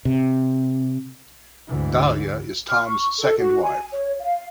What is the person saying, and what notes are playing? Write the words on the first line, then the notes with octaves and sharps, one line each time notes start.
Dahlia is Tom's second wife.
C3
D2 G#2 D3 E3
F6
C#6
A4
F#4
G#5
C#5
F5